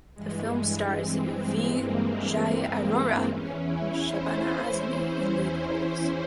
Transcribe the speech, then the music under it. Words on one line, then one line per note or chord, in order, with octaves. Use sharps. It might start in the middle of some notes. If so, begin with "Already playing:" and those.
The film stars Vijay Arora and Shabana Azmi in lead roles.
G2 E3 G#3
C4
A#3
C4
E2 E3 C#4
E4
C5